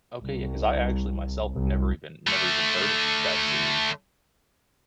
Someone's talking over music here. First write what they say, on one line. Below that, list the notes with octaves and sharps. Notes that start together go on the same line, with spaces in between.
Okay, yeah, 'cause I actually myself have never even never even heard of that series,
C2
C2
D3 A3